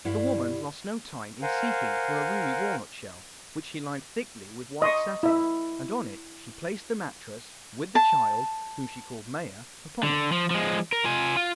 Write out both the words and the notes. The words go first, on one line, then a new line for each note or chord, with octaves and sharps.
The woman lost no time in seeking for a roomy walnut-shell, which she lined thickly with white satin, and on it she placed the mattress, with the child, whom she called Maia, upon it.
G2 G3 E4 F5 F#5
A#4 C5 F5 F#5 G#5
D#5 C6 C#6
E4 E5
A5
D3
F3
F3 G#3
A#4
F4 G#5
F4